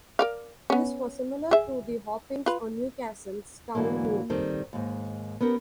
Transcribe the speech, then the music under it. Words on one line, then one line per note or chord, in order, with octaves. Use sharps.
This was similar to The Hoppings on Newcastle's Town Moor.
A#4 D5 F5
B3 C#4
G#4 E5
F4 B4
G#2 D3 E3 F#3 A#3
D#3 G3 C4 A4
D#2 G#2
B3 C#4 G4 A#4